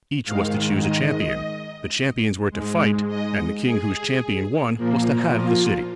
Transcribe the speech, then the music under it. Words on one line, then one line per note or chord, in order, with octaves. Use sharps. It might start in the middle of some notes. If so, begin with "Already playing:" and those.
Each was to choose a champion. The champions were to fight, and the king whose champion won was to have the city.
G#2 D#3 G#3 F5
D#5
G#2 G#3
D#5
G#4
A#2 F3 A#3
F4